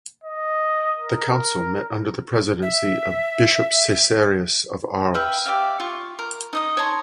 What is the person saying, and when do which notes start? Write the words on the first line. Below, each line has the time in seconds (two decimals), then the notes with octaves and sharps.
The Council met under the presidency of Bishop Caesarius of Arles.
0.23 D#5
0.98 A#4
2.62 E5
5.14 B4 E5 F5 G5
5.45 G4 D5 E5 F5
5.80 F4 C#6
6.19 A#4
6.53 D#4 D#5 D#6
6.77 C#5 A5 A#5 C6